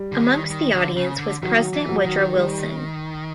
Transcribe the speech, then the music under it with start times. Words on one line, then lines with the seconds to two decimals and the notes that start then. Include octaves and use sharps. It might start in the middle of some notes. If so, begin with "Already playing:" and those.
Amongst the audience was President Woodrow Wilson.
Already playing: G3
0.12 D3
0.21 D#3
0.51 D#3
0.73 D3
0.97 C#3
1.19 D3
1.43 D#3 F#3
1.74 E3
1.89 F#3
2.04 D#3
2.35 G3